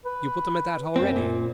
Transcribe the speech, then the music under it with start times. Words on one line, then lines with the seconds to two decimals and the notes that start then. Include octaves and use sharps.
You put them at that already?...
0.05 B4
0.96 F#2 C4
1.16 A#2